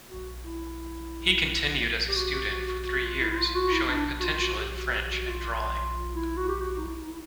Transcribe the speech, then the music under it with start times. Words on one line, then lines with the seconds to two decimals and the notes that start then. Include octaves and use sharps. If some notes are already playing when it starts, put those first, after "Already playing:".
He continued as a student for three years, showing potential in French and drawing.
0.10 F#4
0.44 E4
2.08 G4
2.16 F#4
2.34 G4
2.51 F#4
2.69 F#4
2.86 F#4
3.04 F4
3.20 E4
3.31 E4
3.37 F4
3.56 F#4
3.72 E4
3.90 D4
4.20 F#4
4.24 F4
4.42 F#4
4.54 F#4
4.59 G4
4.77 F#4
4.93 G4
5.11 F#4
5.28 F4
6.14 E4
6.38 F#4
6.49 G4
6.61 F#4
6.78 D#4
6.83 E4
7.02 D#4
7.11 E4